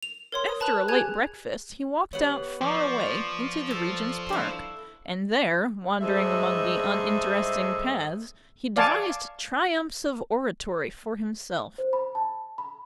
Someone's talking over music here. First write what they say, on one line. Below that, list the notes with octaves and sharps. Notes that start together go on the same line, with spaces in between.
After a late breakfast he walked out far away, into the Regent's Park, and there, wandering among the uninteresting paths, he devised triumphs of oratory for himself.
F7
A#4 C#5 C6
D#6
B4 A5 B5 F#6 F7
G4 G#4 G#5 F#6 G#6
B3 G4 C#5 F#5
F3 D5 C#6 D6
A4
D4 E4
G2 G#3 A3 D#4 C5 E5
D5 F5 G#5 A5 C#6 D6
C5
B5
A5
B5